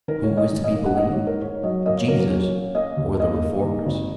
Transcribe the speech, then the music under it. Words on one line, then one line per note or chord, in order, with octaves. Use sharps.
Who is to be believed, Jesus or the Reformers?
D#3 A#4
C#5
D#3
D#5
D#3
D#5
A#3
F#5
G#2 D#5
C#5
G#2
A#4
G#2 C#5
F#3 D#5
A#3 D#5
C#5
F#3 A#4
A#4
C#4 C#5
A#3
A#3 D#5
D#2
A#3 D#5
A#3
D#3
G#1